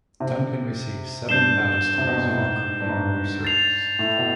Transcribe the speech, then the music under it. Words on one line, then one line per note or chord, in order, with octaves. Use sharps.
"Duncan" received seven battle stars for Korean War service.
C3
G2 G6 C7 E7 G7
C3
B2
A#2
A2
G#2
G2
G#2
A6 C7 F7
A2
B2